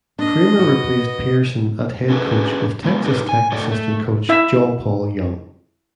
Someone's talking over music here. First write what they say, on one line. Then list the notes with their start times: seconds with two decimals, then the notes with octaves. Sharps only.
Kramer replaced Pearson at head coach with Texas Tech assistant coach, John Paul Young.
0.19 D4 D#5
0.59 F#4 B4
2.10 C#4 D4 F#4 G#4 A4 B4
2.84 B2 G#3 B3
3.05 D#4 F#4 G4 A4 B4 D5
3.29 G#5
3.52 A3 F#4 A4 C#5 D5 G5
3.71 A3
4.29 E4 E5